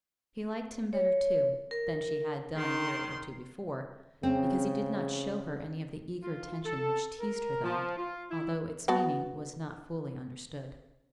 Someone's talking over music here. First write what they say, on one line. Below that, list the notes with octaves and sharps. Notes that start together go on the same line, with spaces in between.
She liked him better, too, than she had done a year or two before, because he did not show her any of the eager attention which teased her then, although its meaning was not fully understood.
C#5
A#4
D#3 C6
C#3 C4
F4
A4
A#4
F3
F4
E4
B3 F#4 A5